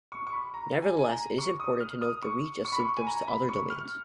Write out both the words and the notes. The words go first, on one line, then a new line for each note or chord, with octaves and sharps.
Nevertheless, it is important to note the reach of symptoms to other domains.
C#6
C#6
B5
A#5
G#5
G#5
A#5
C#6
D#6
F6
D#6
C#6
C#6
B5
C#6
G#5
A#5
B5
C#6
F6